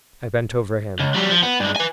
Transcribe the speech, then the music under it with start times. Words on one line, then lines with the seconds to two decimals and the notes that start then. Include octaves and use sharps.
I bent over him.
0.99 C#2
1.15 F#3 G3
1.31 F3
1.43 B3
1.60 G2 G#3
1.76 B4 G#5